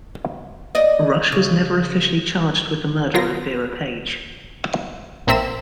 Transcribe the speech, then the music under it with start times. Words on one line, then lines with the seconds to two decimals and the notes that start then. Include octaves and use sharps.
Rush was never officially charged with the murder of Vera Page.
0.75 D5 D#5
1.32 C#3
3.14 F#3 F4 A#4 A#6
5.27 A#1 A#3 C4 E5 E6 E7